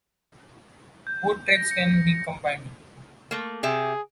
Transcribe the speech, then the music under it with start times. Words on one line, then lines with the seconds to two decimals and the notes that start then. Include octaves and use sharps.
Both treks can be combined.
1.07 G6
1.48 A#6
1.71 C#7
3.31 A3 A#3
3.63 C3 G4 G#4 E5